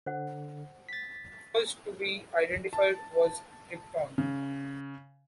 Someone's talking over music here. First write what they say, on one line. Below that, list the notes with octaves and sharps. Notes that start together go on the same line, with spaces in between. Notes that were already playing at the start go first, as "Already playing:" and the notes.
First to be identified was krypton.
D3 C5 F#5
A6 B6
A5
C#3